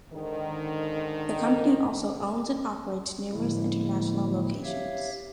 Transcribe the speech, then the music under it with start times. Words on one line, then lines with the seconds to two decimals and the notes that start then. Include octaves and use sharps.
The company also owns and operates numerous international locations.
0.13 G#2 D3 D#3
3.32 A2 D3 F3 G#3 A#3 E4
4.64 G4 C#5 E5 F5